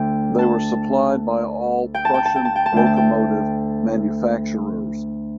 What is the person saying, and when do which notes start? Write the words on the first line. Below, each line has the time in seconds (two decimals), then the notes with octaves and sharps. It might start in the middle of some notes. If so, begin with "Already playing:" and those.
They were supplied by all Prussian locomotive manufacturers.
Already playing: D2 D3 A3 G5
0.39 A5
1.94 G5
2.05 A5
2.14 G5
2.25 A5
2.36 G5
2.45 A5
2.56 G5
2.66 A5
2.72 D2 D3 A3 G5
2.86 A5
2.96 G5